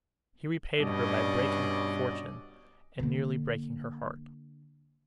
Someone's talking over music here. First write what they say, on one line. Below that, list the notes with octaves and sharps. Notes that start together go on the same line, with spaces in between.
He repaid her by breaking her fortune, and nearly breaking her heart.
G2 B2 C#4 D5 D#5
D3 A#3